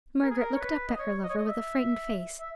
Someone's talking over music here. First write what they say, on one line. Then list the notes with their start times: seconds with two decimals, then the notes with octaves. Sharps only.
Margaret looked up at her lover with a frightened face.
0.22 A#4
0.31 G#4
0.39 A#4
0.54 C#5
0.60 B4
0.88 D#5
0.99 C#5
1.24 D#5
1.30 C#5
1.38 D#5
1.48 E5
2.40 E5